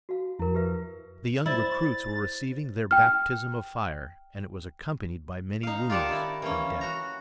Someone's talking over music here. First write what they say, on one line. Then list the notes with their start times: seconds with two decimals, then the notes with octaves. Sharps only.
The young recruits were receiving their baptism of fire and it was accompanied by many wounds and death.
0.09 F#4 F5
0.39 F2 E4 A#4
0.55 G4 B4 E5
1.46 E4 C5 D5 A6
2.91 G5 F6
5.63 D#4 F5
5.90 F4 G4 A#4 D5 F#5 A5
6.09 D#3 E4
6.42 E3 A#3 C#4
6.81 F#4 A#5